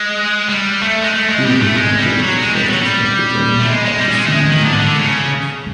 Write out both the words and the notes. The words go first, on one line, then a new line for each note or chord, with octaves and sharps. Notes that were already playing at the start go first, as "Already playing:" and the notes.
He was appointed the first Inspector Training of the Ceylon Volunteer Force.
Already playing: G#3
G3
A3
G#3
A3
G#3
G3
A3
G#3
G3
F#3
G#3
G3
F#3
G3
A3
G#3
G#3
G3
G#3
A3
G#3
D#3
D3
D3
C#3